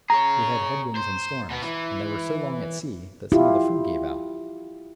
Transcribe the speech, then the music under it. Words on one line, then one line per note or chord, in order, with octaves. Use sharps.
They had head-winds and storms, and they were so long at sea that some of the food gave out.
G#4 C#5 A#5
C5
B2 B3
E3
E4 F4 G4